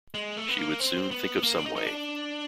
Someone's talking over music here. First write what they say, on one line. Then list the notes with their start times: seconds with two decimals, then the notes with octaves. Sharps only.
She would soon think of some way.
0.14 G#3
0.37 A3
0.48 B3
0.58 A#3
0.80 C4
1.11 B3
1.43 A#3
1.57 D4
1.66 D#4
1.76 D#4
1.87 D4